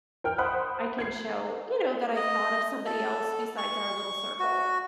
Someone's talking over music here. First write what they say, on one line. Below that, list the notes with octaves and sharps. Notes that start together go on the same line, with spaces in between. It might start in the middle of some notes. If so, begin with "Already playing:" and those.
I can show, you know, that I thought of somebody else besides our little circle.
A#4 G5 F6
C5 F#5 B5 D#6 F#6
G#6 C7
D#5
A4
C#6
F#4